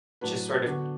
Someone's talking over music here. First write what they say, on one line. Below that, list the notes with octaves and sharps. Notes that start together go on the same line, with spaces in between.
just sort of
A2 F#3 D4 B4
D3 B3 D4 F#4